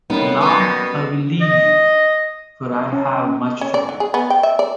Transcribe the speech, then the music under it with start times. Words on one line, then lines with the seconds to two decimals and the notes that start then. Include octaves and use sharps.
Now I will leave you, for I have much to do.
0.10 A2 G3 A#3 B3 C#4 D#4
0.41 B2 B3 B4
1.41 D#5
2.93 C#4
3.61 C#4
3.74 D5
3.89 D3
4.00 G#4
4.14 B3
4.30 G5
4.43 E5
4.59 D5